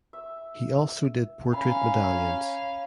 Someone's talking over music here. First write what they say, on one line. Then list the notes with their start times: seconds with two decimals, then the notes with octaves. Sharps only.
He also did portrait medallions.
0.13 E5
1.52 C#4 F5 G#5 A#5 B5